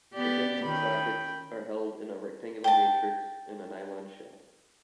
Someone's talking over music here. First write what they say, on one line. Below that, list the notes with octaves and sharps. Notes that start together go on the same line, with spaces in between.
The pins and sockets are held in a rectangular matrix in a nylon shell.
B3 G4 D5
D#3 C#4 G5 B5
G5 A5